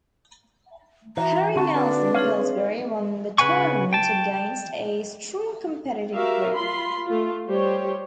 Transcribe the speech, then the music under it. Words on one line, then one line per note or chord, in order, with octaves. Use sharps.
Harry Nelson Pillsbury won the tournament against a strong competitive group.
E3 F#4 E5 A#5
D3 C4 F#4 A5
D4 B4
C4 D#4 G#4 C#5 F5
C#3 B4 F#5 G#5 C#6
G5 A5
F#4 G4 A#4 E5 F5
F4 B5 C6
A3 F4
G3 G4 C5 C#5